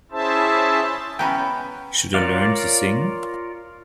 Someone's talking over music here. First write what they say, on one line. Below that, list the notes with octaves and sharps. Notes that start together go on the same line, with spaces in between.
Should I learn to sing?
C#4 E4 G#4 C5 E5 A5
B3 C#4 C#5 E5 G5 G#5 A#5 B5
F4 A#4 C#5 D5 F5